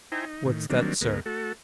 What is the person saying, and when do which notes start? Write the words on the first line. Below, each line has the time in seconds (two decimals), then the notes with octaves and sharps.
"What's that, sir?"
0.12 D#4 E4 C5 G5 G#5 A#5
0.25 D#4
0.45 A2 D#3
0.70 D#3 F#3 G3 A#3 C4 D4
1.01 D2 G#3 B3 A#4
1.26 A3 F#4 A4